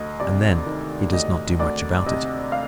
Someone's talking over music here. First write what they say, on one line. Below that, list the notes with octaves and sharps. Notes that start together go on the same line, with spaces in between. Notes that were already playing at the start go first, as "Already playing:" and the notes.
And then he does not do much about it.
Already playing: D2 D#5
C3 D5
D#3
D2 D#5
D2 D5
C3 D#5
F5